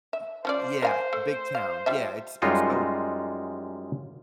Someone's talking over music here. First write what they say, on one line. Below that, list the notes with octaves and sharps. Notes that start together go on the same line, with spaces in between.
Y yeah, a big town. Yeah, it's it's so
E5
F3 C#4 C5 D5
A#4 F5 G#5
A3
F5
G3 F4 E5
F#2 G3 G#3 D#4 F4 F#4